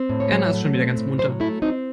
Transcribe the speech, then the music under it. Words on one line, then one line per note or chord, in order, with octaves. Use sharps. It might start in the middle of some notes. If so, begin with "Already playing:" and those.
Erna ist schon wieder ganz munter.
Already playing: C4
A2
C#5
F#3
A3
C4
A2
F#3 C5
A3 E4
C4 D#4